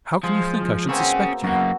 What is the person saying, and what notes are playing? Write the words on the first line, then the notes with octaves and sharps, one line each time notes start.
"How can you think I should suspect you?"
F3 G#3
B2 A#3 C4 C#4 G#4
F#2 A#3 F#4